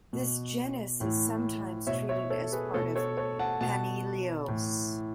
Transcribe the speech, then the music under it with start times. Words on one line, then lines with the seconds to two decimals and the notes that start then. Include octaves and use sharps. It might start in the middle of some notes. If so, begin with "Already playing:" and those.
This genus is sometimes treated as part of "Panaeolus".
0.13 B2
1.00 A2 E3
1.87 B2 C#5 E5
2.09 C#5 E5
2.30 A4 C#5
2.52 G#4 B4
2.74 B2 A4 C#5
2.96 A4 C#5
3.17 A4 C#5
3.39 F#5 A5
3.61 B2 F#5 A5
4.48 A2 E3